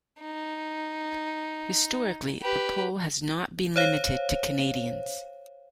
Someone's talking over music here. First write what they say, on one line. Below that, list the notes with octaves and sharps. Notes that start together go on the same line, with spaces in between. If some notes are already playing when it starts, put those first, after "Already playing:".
Historically, the poll has not been limited to Canadians.
D#4
G4 B4
C5 C#5 F5